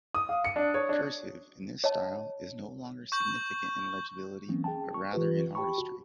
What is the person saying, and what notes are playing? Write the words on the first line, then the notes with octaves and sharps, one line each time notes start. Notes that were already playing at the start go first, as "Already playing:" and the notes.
Cursive, in this style, is no longer significant in legibility but rather in artistry.
D#6
F5
C#7
D4
C#5
D4
C#5 D#5 A5
C#6 G6 F#7
E3 F#3 A#3 C4 C#4
G#4 G5 A5
C#6
E3 F4 G4 B4
G4 G5 A5 B5 C#6
F#4